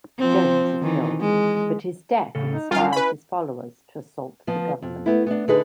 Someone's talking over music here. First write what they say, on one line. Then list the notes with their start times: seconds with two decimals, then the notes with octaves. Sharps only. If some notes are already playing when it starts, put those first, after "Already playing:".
Jones is killed, but his death inspires his followers to assault the government.
0.18 F3 C4
0.81 D#3 E3
1.21 G#3
2.35 A2 C#3 A4
2.54 D#4
2.71 F#3 G3 C#4 F4 A#4 F5
2.92 E4 B4 B5
4.47 F3 B3
4.82 F2
5.06 A3 B3 E4
5.26 B3 D4
5.48 D3 D#4 G#4 B4